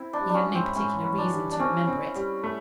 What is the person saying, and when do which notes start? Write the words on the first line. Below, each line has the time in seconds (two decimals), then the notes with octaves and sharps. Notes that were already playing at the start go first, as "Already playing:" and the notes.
He had no particular reason to remember it.
Already playing: C4 E4
0.13 D4
0.20 G3
0.29 C#4 D4
0.48 G#2
0.55 C4
0.76 G#2 C#4
1.04 E3
1.18 D4
1.32 G3
1.51 D4
1.60 C4 C#4
1.88 C4
2.16 G3
2.44 A3